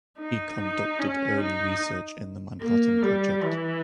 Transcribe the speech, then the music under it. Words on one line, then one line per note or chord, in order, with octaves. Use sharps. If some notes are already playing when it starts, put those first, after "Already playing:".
He conducted early research in the Manhattan Project.
D#4
D#4
C#4
D#4
A#3
G3
E3